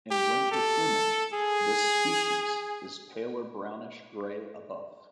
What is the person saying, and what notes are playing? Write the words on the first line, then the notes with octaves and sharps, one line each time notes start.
In winter plumage, this species is paler brownish gray above.
G4
A4
G#4